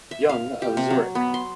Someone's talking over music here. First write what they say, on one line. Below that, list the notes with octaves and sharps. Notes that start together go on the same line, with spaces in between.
Jung of Zurich.
E5
F5
G4
C3
F#3
B3
C6